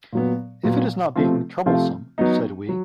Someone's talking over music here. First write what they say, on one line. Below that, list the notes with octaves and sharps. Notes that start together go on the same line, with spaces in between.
"If it is not being troublesome," said we.
A#2 F#3 B3
A#2 F#3 B3
C3 F3 A3 C4 F4
C3 F3 A3 C4 F4
F#3 B3 D#4
F#3